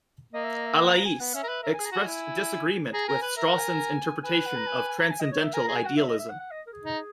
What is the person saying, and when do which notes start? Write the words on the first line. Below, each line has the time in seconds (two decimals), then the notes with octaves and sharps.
Allais expressed disagreement with Strawson's interpretation of transcendental idealism.
0.33 A#3 D#5
0.44 E5
0.56 D#5
0.66 E5
0.77 F#5
0.91 A#5
1.05 G#5
1.20 B3 F#5
1.34 C#4 E5
1.44 A#4
1.48 B4 E5
1.63 A#4 E5
1.74 G#4 G#5
1.85 A#5
1.92 F#4 G#5
2.07 E4
2.93 G#4 A#5
3.05 G#5
3.08 A#4
3.15 G#5
3.22 B4
3.37 A#4 E5
3.48 F#5
3.59 G#5
3.69 G#5
4.24 B4 G#5
4.34 G#5
4.46 F#5
4.56 A#5
4.67 G#5
4.78 G#5
4.89 G#5
4.99 A#5
5.11 G#5
5.21 D#5
5.32 C#5
5.43 E5
5.54 A#4 G#5
5.65 G#4 A#5
5.75 G#5
5.83 F#4 F#5
5.97 E5
6.08 D#5
6.19 E5
6.29 F#5
6.40 F#5
6.51 D#5
6.67 A#4
6.73 G#4
6.84 D#4